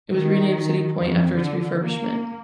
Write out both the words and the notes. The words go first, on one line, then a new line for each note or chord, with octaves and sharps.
It was renamed CityPoint after its refurbishment.
D#3
F2
D3
A#3